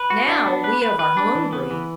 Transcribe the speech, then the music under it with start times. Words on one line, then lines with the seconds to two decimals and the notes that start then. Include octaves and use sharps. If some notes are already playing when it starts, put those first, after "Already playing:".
"Now we of are hungry."
Already playing: B4
0.10 F#4
0.28 D4
0.46 B3
0.64 B4
0.82 B4
0.99 B4
1.17 D4
1.35 E3
1.53 B3
1.71 E3